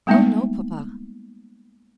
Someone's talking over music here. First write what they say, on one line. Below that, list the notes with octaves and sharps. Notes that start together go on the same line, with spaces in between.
"Oh no, papa."
G3 G#3 A#3 B3 D#4 E5